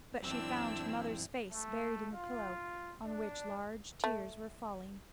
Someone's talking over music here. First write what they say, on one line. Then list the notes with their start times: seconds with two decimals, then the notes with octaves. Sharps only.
But she found her mother's face buried in the pillow, on which large tears were falling.
0.23 F#2 E3 C4 D4 E4 E6
1.49 A3
2.12 F4
3.05 D4
4.04 A3